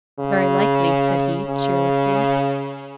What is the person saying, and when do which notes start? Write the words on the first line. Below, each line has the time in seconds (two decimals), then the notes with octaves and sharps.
"Very likely," said he cheerlessly.
0.19 C#3
1.48 C#3